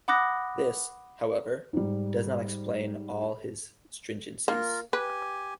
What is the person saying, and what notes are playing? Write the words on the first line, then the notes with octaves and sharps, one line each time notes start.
This, however, does not explain all of his stringencies.
F#5 B5 D6 D#6 F#6 A#6
G#2 G3
A#3 F4 A#4
G4 B4 G#5